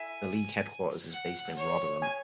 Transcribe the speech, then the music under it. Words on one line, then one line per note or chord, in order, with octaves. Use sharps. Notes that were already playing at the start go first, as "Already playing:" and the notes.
The League headquarters is based in Rotherham.
Already playing: E5 G#5
F#5
C#5
G#5